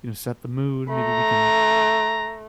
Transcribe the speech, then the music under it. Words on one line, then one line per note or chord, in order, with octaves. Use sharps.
you know, set the mood. Maybe we can
A3 A#5